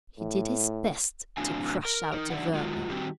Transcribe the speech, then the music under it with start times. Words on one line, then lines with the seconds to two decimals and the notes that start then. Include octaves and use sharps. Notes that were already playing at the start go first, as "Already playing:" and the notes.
He did his best to crush out the vermin.
0.19 A2
1.37 A2 F#3 C4 D4 F5 G#5
1.85 A#4
2.12 D#4 A#4
2.30 F#3 D4 D#4 D5 E5 F#5
2.54 G#3 F4 F#4
2.90 D#3 G3 C4 F#4 G4